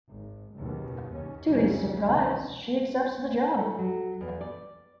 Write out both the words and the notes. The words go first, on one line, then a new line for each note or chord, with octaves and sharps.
To his surprise, she accepts the job.
G#1
F#1 D#2 B2
D#2 C#4
C2 F2 C#3 F#3 G3 C#4
C#2 B2 D#3 E3
C#4
A3
F#3
E2
D5